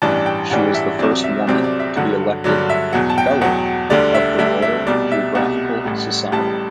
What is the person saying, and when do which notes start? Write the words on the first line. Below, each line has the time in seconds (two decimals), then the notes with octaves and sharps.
She was the first woman to be elected Fellow of the Royal Geographical Society.
0.02 A1 G2 E3 G3 D4 A5
0.26 G5
0.50 A1 G2 E3 G3 D4 F#5
0.74 E5
0.99 C2 C3 F#3 C4 D5
1.24 E5
1.47 C2 C3 F#3 C4 D5
1.64 D5
1.79 E5
1.96 G2 D3 F#3 F#5
2.44 G2 D3 F#3 D5
2.70 E5
2.93 E2 B2 F#3 F#5
3.10 A5
3.18 G5
3.41 E2 B2 F#3 F#5
3.90 D2 D3 G3 D4 D5
4.15 E5
4.38 D2 D3 G3 D4 E5
4.62 E5
4.87 C2 B2 G3 D5
5.12 E5
5.35 C2 B2 G3 F#5
5.85 A1 A2 G3
6.32 A1 A2 G3 A5